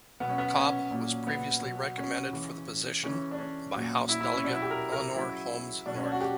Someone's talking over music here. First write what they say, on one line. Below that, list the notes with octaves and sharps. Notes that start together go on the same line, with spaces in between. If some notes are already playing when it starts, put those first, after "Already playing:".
Cobb was previously recommended for the position by House Delegate Eleanor Holmes Norton.
B2 F#3 B3
C#4
B3
C#4
A#2 F#3
B3
B2 F#3
C#4
C#3 E3
C#3 E3 C#4
D4
C#4
A#2 F#3
E4
E4
C#4
B2 F#3 D4
E4
G4
A#4
A#4
C#3 F#3 E4
B2 F#3 D4
C#4
D4
F#4
G4